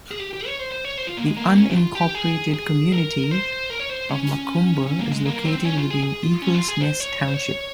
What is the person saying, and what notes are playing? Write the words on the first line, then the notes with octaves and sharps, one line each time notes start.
The unincorporated community of McComber is located within Eagles Nest Township.
G#4
G4
G4
C#5
C5
C5
C#5
C5
F4
A#3
G#3
A#3
C#4
G4
F4
G4
G#4
G#4
A#4
C5
A#4
C#5
C5
C#4
C#4
A#3
G#3
A#3
C4
C4
C#4
F4
G#4
G#4
F4
C#4
F4
G#4
C5
C#5
C#5
C5
C#5